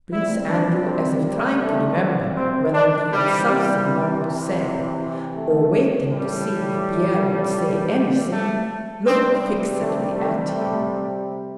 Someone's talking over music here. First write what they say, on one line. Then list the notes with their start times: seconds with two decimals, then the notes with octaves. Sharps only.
Prince Andrew, as if trying to remember whether he had something more to say, or waiting to see if Pierre would say anything, looked fixedly at him.
0.12 C3 G3 E4
0.50 D4
0.87 C4
1.62 A3
2.36 C4
2.73 D4
3.11 C3 E3 G3
3.48 G3
5.34 A3
6.09 A2 E3 G3
8.32 A3
9.07 C3 G3 C4
9.81 A3
10.18 A3
10.56 A3